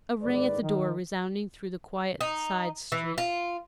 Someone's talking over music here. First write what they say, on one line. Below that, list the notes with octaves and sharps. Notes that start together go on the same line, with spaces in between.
A ring at the door, resounding through the quiet side street.
G1 G#2 D#3 B4 D5
D#3
D#4
E3
F4